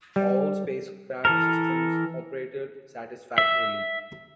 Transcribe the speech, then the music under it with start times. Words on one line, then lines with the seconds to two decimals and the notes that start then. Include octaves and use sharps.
All spacecraft systems operated satisfactorily.
0.16 G3
1.25 E3 A4 A#4
3.38 E5